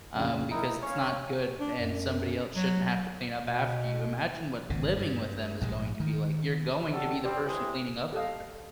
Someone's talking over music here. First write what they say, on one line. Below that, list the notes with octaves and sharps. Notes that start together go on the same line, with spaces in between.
um, because it's not good, and somebody el shouldn't have to clean up after you." Imagine what living with them is going to be like, you're going to be the person cleaning up after them.
F2 C#3 D4
D#4 E4 A#4
C#4 C#5 F5
D4
F#2
F#3
B2
G#1 C#3
G2
A#1 G#2 D3 G#3
D#3
C#4 D4 F#4 G4 A4
G3 C4
A2 C3 E3 G3 G#3
G4 A4 D#5 F5